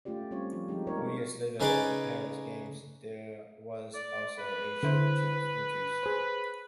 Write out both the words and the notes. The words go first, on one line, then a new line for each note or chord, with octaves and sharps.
Four years later, at the Paris Games, there was also a shortage of entries.
A3 C#4 F4 G4 D5
G3 C4 C#4 F4 C#5
F3 D4 F4
F3 G#3 D#4 G4
G#3 A#3 D4 D#4 A#4 C#5
C#3 D#4 G#4 B4 D5 D6
D5
B4
D3 E4 C5
G#4 C5